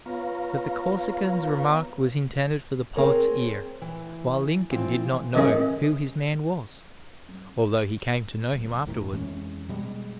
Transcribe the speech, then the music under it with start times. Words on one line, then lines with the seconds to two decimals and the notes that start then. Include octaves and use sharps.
But the Corsican's remark was intended for the poet's ear, while Lincoln did not know who his man was, although he came to know him afterward.
0.06 B3 F4 B4 C#5 F5 A#5
2.96 C4 G#4 A#4 C#5
3.81 E3
4.71 E3 F3 C4
5.35 D#3 E3 G#3 C#4 G#4 D#5
8.53 D1
8.87 D2 A2 D#3
9.12 F2 E3 G#3 C#4
9.69 B2 G3 G#3